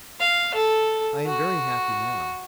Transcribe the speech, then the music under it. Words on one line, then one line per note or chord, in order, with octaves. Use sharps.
I am very happy now.
F5
A4
F#4